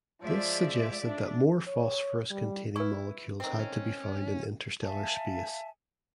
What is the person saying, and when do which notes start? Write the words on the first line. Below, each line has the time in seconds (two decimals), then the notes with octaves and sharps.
This suggested that more phosphorus containing molecules had to be found in interstellar space.
0.23 F3 G#3 D5 E5
1.06 D4
1.67 C#5
2.30 G3
2.76 E4 B4 C#6
3.40 D#3 C4
3.59 C#4
4.83 E5 F5 G#5 A5